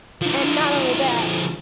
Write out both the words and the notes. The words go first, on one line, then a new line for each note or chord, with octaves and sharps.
and not only that,
D3 F3